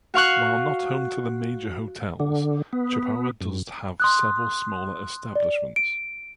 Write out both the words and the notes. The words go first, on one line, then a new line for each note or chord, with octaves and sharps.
While not home to the major hotels, Chippawa does have several smaller establishments.
F#4 F5 C#6 F#6
D3
B3
F#2
C6 D#6 F#6
D5
D7